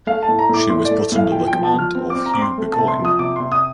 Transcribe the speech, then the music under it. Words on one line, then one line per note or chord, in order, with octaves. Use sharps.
She was put under the command of Hugh Burgoyne.
A3 F5
A5
A2
A#5
A2 D6
A2 C6
D5
A3
A2 F5
F3 G5
G5
F3
A5
F3 F6
C4
C4 D6
A#5
D6
C4 C6
A3
A5
C3
C6
F3
D#6
C3 D6
C3 C6
D#6